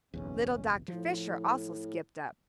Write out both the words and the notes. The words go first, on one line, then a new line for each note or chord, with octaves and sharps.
Little Dr. Fisher also skipped up.
F#1 B1 E2 C#4
A2 F3